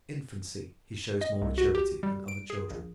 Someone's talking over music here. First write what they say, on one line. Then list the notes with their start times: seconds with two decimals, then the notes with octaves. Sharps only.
From infancy he shows more maturity than other children.
1.21 D#5
1.42 C2
1.58 F#4
1.75 G4
2.03 G3
2.28 D7
2.50 G#4
2.70 A#1